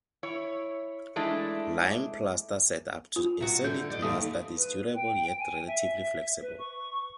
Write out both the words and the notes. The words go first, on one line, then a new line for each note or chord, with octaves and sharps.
Lime plaster sets up to a solid mass that is durable yet relatively flexible.
E4 C#5
E3 G#3 A3 D4 E4
F4
C3 F#4
D3 G6
D5 D#5
D#2 E3 A3 D#6
B4
G5
G#5
E5
B4
C#6